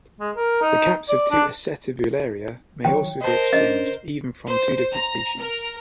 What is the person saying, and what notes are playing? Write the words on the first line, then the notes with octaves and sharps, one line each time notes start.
The caps of two "Acetabularia" may also be exchanged, even from two different species.
G#3
A#4
D#4
D5
D4
D#3 F#3 C#5 G5
A#4 C5 D#5 A5
C#4 D4 D#5
C5
A#5
A#4